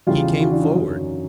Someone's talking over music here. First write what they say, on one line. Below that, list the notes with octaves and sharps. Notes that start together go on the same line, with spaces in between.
He came forward.
E2 C#3 E3 F4 G4
E4 F#4
D4 E4
C#4 D#4
F#2 D3 F#3